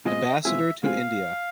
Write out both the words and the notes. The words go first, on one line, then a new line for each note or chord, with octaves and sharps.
Ambassador to India.
B2 G#3 C4 F4 G#4 D#5
B2 G#3 C4 F4 G#4 E5
B2 G#3 C4 F4 G#4 F5